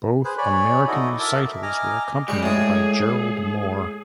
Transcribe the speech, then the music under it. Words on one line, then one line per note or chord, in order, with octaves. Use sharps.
Both American recitals were accompanied by Gerald Moore.
G#4 B4 C5 G#5
C#5 D5 G#5 B5
D#4 E4 F#4 A4 D#5
A#4 E5 A5 D6 E6
E5
D#5 G#5 A#5 D6 F6
G#3 G4 D5 C#6
A2 G#3 G#4